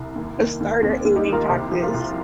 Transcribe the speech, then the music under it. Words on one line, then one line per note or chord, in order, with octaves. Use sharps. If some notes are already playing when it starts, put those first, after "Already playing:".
a starter aiming practice.
Already playing: C2
D#2
D#3
D#2
D#2 C4
D#2
D#4 G4
D#3
F4 A#4
C2 G4 C5
F3
F4 A#4
C2